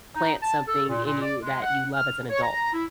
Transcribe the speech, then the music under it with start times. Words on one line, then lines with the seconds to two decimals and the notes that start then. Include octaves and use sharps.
plant something in you that you love as an adult.
0.15 D#4
0.42 A5
0.67 A4
0.88 A#2
1.05 A#2
1.22 D5
1.43 G#3
1.62 F#5
1.94 F6
2.30 C#5
2.42 A#5
2.73 E4